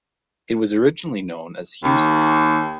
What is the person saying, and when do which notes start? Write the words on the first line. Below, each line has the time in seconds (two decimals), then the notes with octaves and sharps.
It was originally known as Hugh Street.
1.83 D#2